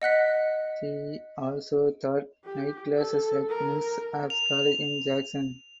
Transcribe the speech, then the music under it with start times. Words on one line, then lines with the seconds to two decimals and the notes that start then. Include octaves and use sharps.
He also taught night classes at Millsaps College in Jackson.
0.02 D#5 F#5 F#6 B6
2.45 G4
2.98 A4
3.49 A#4
4.30 F7